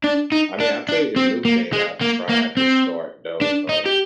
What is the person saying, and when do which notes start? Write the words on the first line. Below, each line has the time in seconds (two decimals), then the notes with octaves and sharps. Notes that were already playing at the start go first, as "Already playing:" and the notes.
I mean, I'll tell you this new thing I've tried to start, though, um,
0.04 D4
0.32 D#4
0.60 D4
0.89 D4
1.16 C4
1.45 A#3
1.73 G#3
2.01 A#3
2.29 A#3
2.57 C4
3.41 D4
3.69 D#4
3.86 G4